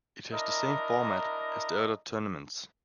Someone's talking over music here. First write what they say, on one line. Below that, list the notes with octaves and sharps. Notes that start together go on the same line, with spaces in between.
It has the same format as the other tournaments.
D4 E4 A#4 D#5 A#5